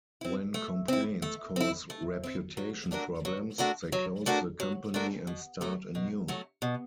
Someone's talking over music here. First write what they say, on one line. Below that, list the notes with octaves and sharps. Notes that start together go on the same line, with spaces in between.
When complaints cause reputation problems they close the company and start anew.
C4 E4
A3
C4 E4
A3
C4 E4
A3
C4 E4
F#3
A3 D4 F#4 A#4
F#3
A3 D4 F#4 A#4
F#3
A3 D4 F#4 A#4
F#3
A3 D4 F#4 A#4
B2
F#3 A3
B2
F#3 A3
B2